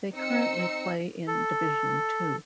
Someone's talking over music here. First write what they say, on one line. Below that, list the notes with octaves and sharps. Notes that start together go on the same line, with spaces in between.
They currently play in Division Two.
C4 D#4 E6 C#7
A4